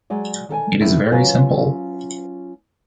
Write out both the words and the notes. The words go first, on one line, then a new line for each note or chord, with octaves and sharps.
It is very simple.
F#3 G#3 D5
D#3 A4 G5 G#5
D2 C3 D#3 D#4 E4
F#3 C#4 F4 B4 C5 F5